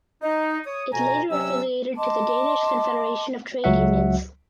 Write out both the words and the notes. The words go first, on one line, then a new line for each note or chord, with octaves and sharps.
It later affiliated to the Danish Confederation of Trade Unions.
D#4
C#5 D#6
F2 B2 G#5 A#5
C3 F#3 C#4 E6
D#5 A5 C6 D6
C#2 F#3 F#4 E5 F#5